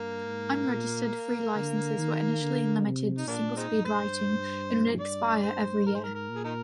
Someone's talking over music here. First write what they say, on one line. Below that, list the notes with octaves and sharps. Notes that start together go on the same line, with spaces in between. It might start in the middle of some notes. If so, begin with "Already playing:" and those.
Unregistered free licenses were initially limited to single-speed writing and would expire every year.
Already playing: G2 A#3
G#2
A#2
D3
D#3
D3
C3
D#4
A#2 A#3 D4
G#3 C4 D#4
G2
C5
D5
C5
G#2 A#4
C5
A#4
A#4
A#2
G#4
D#4 A#4